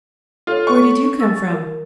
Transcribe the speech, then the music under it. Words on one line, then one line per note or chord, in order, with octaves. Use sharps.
"Where did you come from?"
F4 A4 C#5
C#6
E6 A6
A#4